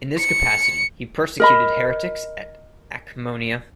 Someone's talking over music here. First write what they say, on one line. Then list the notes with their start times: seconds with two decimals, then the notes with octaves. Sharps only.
In this capacity he persecuted heretics at Akmoneia.
0.18 C#7
1.40 A#4 D#5 B5